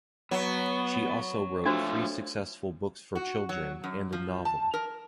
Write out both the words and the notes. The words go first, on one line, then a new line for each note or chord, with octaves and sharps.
She also wrote three successful books for children and a novel.
F#3 B3
F3 A3 D4 F#4 C5
F#4
F#3
F#2
F3
A5
A#4